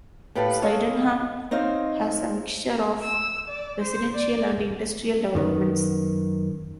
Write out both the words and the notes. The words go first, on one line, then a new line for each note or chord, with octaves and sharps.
Sydenham has a mixture of residential and industrial developments.
A2 G4 A4 B4 F5 A5
A4 C#5 D#5 F5
C4 D#4 C5 C#5 D#5 F5
E6
D5
C5
D5
F#2 D#3 B3